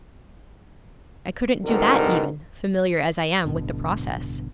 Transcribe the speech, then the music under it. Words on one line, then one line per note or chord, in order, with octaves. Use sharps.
I couldn't do that even, familiar as I am with the process.'
C2 G#2 B2 D3 D#3 A#4
A1 G2 B2 D3